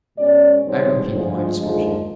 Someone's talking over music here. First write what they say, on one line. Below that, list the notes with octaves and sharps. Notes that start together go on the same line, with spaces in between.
I repeated my description.
B2 G#3 C#4 D5
G2 D#3 G#3 C4 C#5
D2 D3 F3 G#3
D#2 D3 F3 G#3